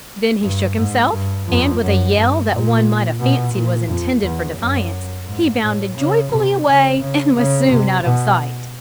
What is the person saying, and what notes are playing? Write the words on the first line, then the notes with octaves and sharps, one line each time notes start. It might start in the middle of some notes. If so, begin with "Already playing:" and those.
Then he shook himself, and with a yell that one might have fancied was intended for defiance, he bounded joyfully away, and was soon out of sight.
G2
G#2
G2
F2
F#2
G2
A#2
B2
A#2
F2
E2
F#2
G#2
A2
C#3
C3
C#3
C#3
C#3
C3
B2